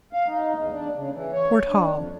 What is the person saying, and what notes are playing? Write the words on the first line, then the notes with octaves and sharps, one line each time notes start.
Fort Hall.
F5
D#4
E2
D4
C#3
E3
C#5
D4
F2